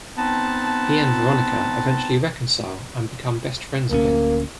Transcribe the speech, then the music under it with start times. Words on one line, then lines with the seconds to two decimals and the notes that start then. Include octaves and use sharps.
He and Veronica eventually reconcile and become best friends again.
0.18 B3 C4 D#4 A5
3.91 D1 D2 A#3 C#4